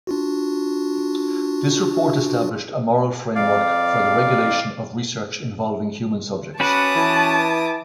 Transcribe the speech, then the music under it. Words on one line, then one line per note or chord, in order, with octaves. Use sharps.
This report established a moral framework for the regulation of research involving human subjects.
D4 F4 F#4
F2 D5 F5
C#4 F#4 B4 A5 D6 D#6
E3